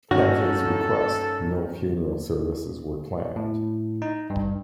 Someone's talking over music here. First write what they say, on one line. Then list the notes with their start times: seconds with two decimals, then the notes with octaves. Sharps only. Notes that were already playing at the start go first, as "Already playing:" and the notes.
At his request, no funeral services were planned.
0.11 G2 D#3 A#3 C#4 F#4 A4
3.36 A2
4.02 D#4
4.30 G2